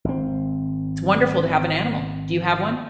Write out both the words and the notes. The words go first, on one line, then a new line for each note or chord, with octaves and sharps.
it's wonderful to have an animal. Do you have one?
G#1 C4